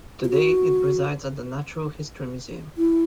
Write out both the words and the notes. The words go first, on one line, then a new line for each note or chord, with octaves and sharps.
Today it resides at the Natural History Museum.
F4
F#4
E4